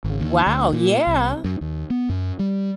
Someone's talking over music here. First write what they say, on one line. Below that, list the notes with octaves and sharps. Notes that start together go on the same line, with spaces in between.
Wow, yeah!
G#1
D#2
D2
A#2
C2
F#2
D#2
B3
F#2
G3